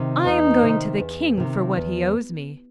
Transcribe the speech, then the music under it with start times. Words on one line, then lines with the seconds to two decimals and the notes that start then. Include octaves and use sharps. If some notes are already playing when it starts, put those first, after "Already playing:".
'I am going to the King for what he owes me.'
Already playing: C3 D#3
0.25 E2 D#4
0.62 C3 D#3
1.00 E2
1.37 C3 D#3
1.76 E2